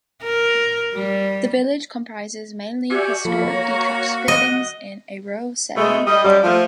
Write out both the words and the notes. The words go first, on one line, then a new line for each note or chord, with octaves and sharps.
The village comprises mainly historic detached buildings in a rural setting.
A#4
G3
F#4 G4 D5 E5 G#5
F3 A#3 A4 B5
C#5 A#5
D#5 F#5
B2 G#3 A3 D#5
G3 D#5
F#2 G3
F3 A3